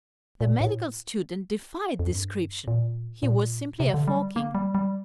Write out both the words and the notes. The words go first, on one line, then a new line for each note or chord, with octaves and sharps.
The medical student defied description: he was simply a Fokin.
A#2
A2
F2
G2
A#2
A#2
C3
D3
G3
A#3
G3
G3